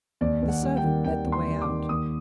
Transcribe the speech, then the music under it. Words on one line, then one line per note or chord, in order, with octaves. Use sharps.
The servant led the way out.
D#2 D5
D#2
F#5
G3
G5
D#3
D#2 G5
D#2
C6
G3
D6
D#3
D#2 D#6